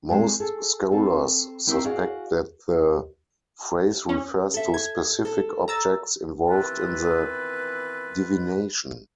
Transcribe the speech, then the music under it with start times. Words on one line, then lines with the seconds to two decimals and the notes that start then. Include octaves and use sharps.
Most scholars suspect that the phrase refers to specific objects involved in the divination.
0.10 G3 G#3 C4 C5
0.40 G#4 A4
0.91 C4 A4
1.67 C4 E4 A#4 C5
1.84 F#4 G#4 D5 F5
4.09 C#4
4.54 A4 E5
4.74 G#6
5.25 A4
5.68 A#5 E6 A6
6.47 B2 D#3 E3 C4 F4 B4